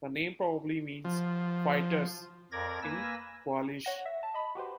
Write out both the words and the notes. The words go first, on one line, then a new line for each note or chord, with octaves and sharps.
The name probably means "fighters" in Gaulish.
F3
F2 A#4 D5 G#6 A#6
A#3 B4 G#5 E6 A#6
C#5 F#5 A#6
E5
A5
D#5 B5
F#4 G4 B4 C5